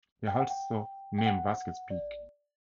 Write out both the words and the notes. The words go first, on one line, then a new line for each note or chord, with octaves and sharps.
He also named Vasquez Peak.
G5
F#5
G5
G5
F#5
D5